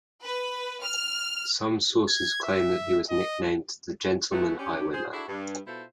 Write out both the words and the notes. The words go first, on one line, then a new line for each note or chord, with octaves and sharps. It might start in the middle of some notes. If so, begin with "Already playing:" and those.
Some sources claim that he was nicknamed "The Gentleman Highwayman".
B4
F6
G#6
E5
D#5
G#3 A3 B3 E4 F#4
C#4 D4 G4
G#4 C5
D4 E4 F#4 G#4 A4 D5
G2
B2 E4 F4 A4 C5